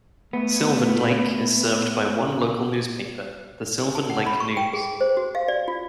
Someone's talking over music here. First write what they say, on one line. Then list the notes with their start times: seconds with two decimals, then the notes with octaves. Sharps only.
Sylvan Lake is served by one local newspaper, "The Sylvan Lake News".
0.33 A3 B3
3.95 A5
4.10 F#5
4.26 B5
4.40 C#6
4.57 G5
4.73 G#4
5.01 C5
5.17 F#4
5.35 F5
5.48 D5
5.68 F4